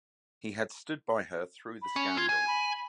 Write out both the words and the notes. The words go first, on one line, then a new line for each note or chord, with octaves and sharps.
He had stood by her through the scandal.
B5
C#4
F4 G#6
G#5
B5